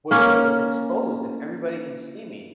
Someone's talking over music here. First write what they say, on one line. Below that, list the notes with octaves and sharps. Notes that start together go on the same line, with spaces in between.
was it was exposed and everybody can see me.
A#3 C#4